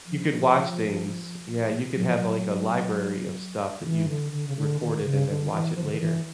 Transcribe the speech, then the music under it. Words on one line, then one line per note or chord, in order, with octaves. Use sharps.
you could watch things. Yeah, you could have, like, a library of stuff that you've recorded and then watch it later.
F3
F#3
F3
F#3
D#3
E3
D3
D3
C#3
D3
D#3
C#3
D3
E3
F3
D3
D#3
E3